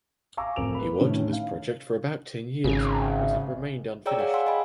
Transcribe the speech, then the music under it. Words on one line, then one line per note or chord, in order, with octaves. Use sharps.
He worked on this project for about ten years but it remained unfinished.
F5 G#5 A#5 C#6 D6 E6
D1 F2 A#4 D7 F7
B4 B5
A2 D3 D#3 C#4 E4
F5
G#1 C#3
G#4 C#5 D5 G5 A#5 E6
G#4 F5 F#5 G#5
F5 F#5 G#5 C6 E6
G#4 D#5 F#5 G#5 B5